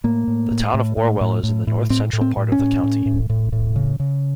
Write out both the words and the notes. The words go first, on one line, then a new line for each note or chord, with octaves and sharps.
The Town of Orwell is in the north-central part of the county.
A2 A#3
A2
A2
A2
A2
A2
A2
A2
A2 C4
A2
C4
A2
C#4
A2
A2
A2
A2
A2
C#3
C#3